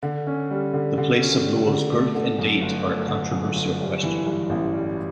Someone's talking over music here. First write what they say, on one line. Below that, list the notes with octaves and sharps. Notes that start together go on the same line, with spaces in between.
The place of Luo's birth and date are a controversial question.
D3
C#4
G3
D3
D3
C#4
G3
D3
A3
D3
F#2
G1
A3
D3
F#2
G1
G3
E3
G2
A1
G3